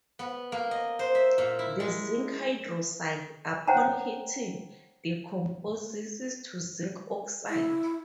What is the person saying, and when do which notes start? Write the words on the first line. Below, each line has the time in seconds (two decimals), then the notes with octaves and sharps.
The zinc hydroxide upon heating decomposes to zinc oxide.
0.19 B3
0.52 A#3
0.71 D#5
0.99 C5
1.15 E5
1.38 A#2
1.59 E4
1.80 G#3
3.68 C5 C#5 F#5 G5 A5 A#5
7.48 E4